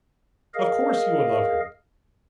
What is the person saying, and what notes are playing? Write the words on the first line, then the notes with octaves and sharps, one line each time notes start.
Of course, you will love him.
G#4 A#4 D#5 F5